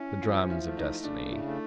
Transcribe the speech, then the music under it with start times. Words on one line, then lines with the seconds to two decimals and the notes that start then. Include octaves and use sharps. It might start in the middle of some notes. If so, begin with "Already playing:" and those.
The drums of Destiny!
Already playing: C#4 E4
0.22 F3 F4
0.50 E4
0.63 A3
0.77 D#4
1.04 C#3 D4
1.32 E4
1.45 A3